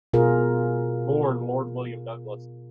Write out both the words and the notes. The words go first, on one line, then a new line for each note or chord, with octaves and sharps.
Born Lord William Douglas.
B2 F4 G#4 A#4